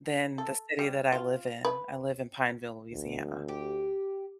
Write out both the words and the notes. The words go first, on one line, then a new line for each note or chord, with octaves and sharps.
than the city that I live in, I live in Pineville, Louisiana.
A4
G3
F4
B4
D2
G4